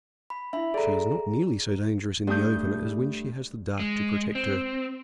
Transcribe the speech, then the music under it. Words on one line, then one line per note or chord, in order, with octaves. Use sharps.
She is not nearly so dangerous in the open as when she has the dark to protect her.
B5
D4 E4 E5 B5
G#4 A4 D5 A#5
G2 A3 D4 D#6 G6
G#3
C4